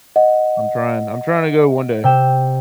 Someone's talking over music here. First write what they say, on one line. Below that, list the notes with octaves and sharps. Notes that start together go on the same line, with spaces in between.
I'm trying I'm trying to go one day.
D#5 F#5
C3 G5 E7